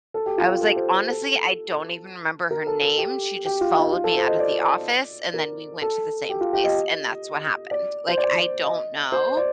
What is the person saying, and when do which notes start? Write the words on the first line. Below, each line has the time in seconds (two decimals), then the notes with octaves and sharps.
I was, like, "Honestly, I don't even remember her name, she just followed me out of the office, and then we went to the same place, and that's what happened, like, I don't know.
0.14 A4
0.26 G4
0.38 F4
0.49 G4
0.61 A4
0.76 C5
1.09 A4
2.51 A#4
2.67 A4
2.81 A4
2.98 G4
3.46 G4
3.61 F4
3.76 D#4
3.92 F4
4.04 A4
4.16 C5
4.28 D#5
4.39 D5
5.34 A#4
5.82 A4
6.29 G4
6.41 F4
6.53 G4
6.64 D#5
7.71 D5
8.08 C5
8.18 D5
8.65 D#5
9.12 C5
9.37 D5